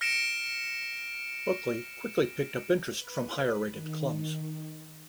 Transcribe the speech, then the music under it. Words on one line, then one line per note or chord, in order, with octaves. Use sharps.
Buckley quickly picked up interest from higher-rated clubs.
F6 A#6 C#7 D7 E7
B4
D#3